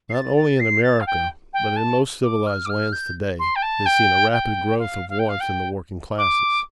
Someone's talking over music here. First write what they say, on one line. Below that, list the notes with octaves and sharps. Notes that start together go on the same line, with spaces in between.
Not only in America, but in most civilized lands to-day, is seen a rapid growth of wants in the working-classes.
C7
A6
A6
C7
A6
F5
G5
G5
A5
D6
F6
D6
F6
G6
C6
G5
A5
G5
G5
F5
F5
G5
F5
G5
D6